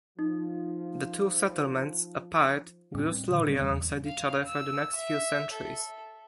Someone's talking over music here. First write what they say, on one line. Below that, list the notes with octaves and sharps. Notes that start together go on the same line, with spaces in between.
The two settlements, apart, grew slowly alongside each other for the next few centuries.
F3 D#4
A2 G3 C4 C#4
G2 A#2 D3 D#3
D2 G3 A3 C4
E2
F5
E6
E5
A4